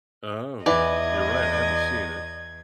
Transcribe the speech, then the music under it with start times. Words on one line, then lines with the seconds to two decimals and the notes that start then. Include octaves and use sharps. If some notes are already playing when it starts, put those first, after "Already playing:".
Oh, you're right, I haven't seen it.
0.66 E2 E3 D5 D#5 G#6